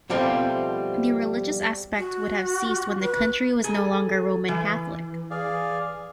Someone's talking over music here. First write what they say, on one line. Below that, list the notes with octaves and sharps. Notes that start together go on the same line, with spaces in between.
The religious aspect would have ceased when the country was no longer Roman Catholic.
B2 F3 G3 A3 C4 F4
F#4
B4
G#4 A4
E3
G#4 D5 F5